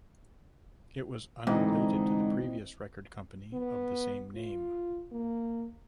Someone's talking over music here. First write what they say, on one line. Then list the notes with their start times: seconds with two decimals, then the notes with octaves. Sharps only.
It was unrelated to the previous record company of the same name.
1.47 G#2 D3 E3 C4 D#4 E4 D#5
3.54 B3
4.36 F4
5.12 A#3